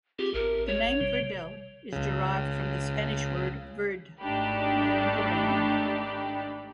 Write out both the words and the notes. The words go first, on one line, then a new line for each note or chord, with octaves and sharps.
The name Verdel is derived from the Spanish word "verde", meaning "green".
C4 F4 G4 G#4
A1 A#4
C#5
C3 G3
C#2 C#3
G#1 A3 D4 D#4 G4 B5